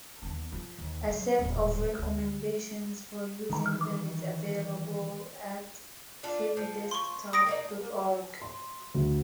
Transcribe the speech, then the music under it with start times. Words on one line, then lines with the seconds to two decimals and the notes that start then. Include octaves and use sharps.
A set of recommendations for using them is available at freedesktop.org.
0.22 D#2 B3
0.52 F3
0.78 D#2
1.08 F#3 A3
1.39 D#1 A1
1.98 D2
3.50 D#3 E3
6.23 D4 F4
6.57 F3
6.91 C6 C#6
7.33 D#6 A#6 D7
7.46 A#3 D#4 D5
8.42 C6
8.94 D2